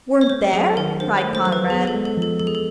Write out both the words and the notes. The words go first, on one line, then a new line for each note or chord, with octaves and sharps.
"Weren't there?" cried Conrad.
C#5
A3 C5
F#3 G#4
D#3 A#4
D4 C5
C5
A3
C5
F#3 C5
B4
B3 G#4
A4
G#3
A4
F3
A4
F3 A4
G#4
A4